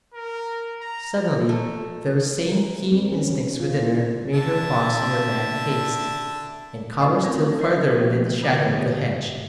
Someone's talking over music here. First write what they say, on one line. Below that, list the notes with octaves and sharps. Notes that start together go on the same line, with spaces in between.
Suddenly, those same keen instincts within her made her pause in her mad haste, and cower still further within the shadow of the hedge.
A#4
A#5
A3
A#4
C4
C#4
D#3
F4
E4
D3 E5 A5
C#4 F#4 C5 D5 D#5
A3 C4 F#4 A4 A#4
A#4 C#5 D#5
F3 A3 B3 F#4 G4
D3 E3 A3 B3 D#5
F#4 G4 C#5